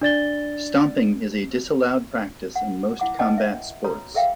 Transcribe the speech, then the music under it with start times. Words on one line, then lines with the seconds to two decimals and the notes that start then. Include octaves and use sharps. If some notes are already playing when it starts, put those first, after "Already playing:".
Stomping is a disallowed practice in most combat sports.
0.01 D4 D5 A6 G7
2.56 F#5
3.00 E4 F#5 D6
3.19 B4 C#5 D#5 F#5 G5 A5
3.38 E5
3.84 F#4 B4 C#5 A#5 D#6
4.14 G#4 A#4 E5 F5 G5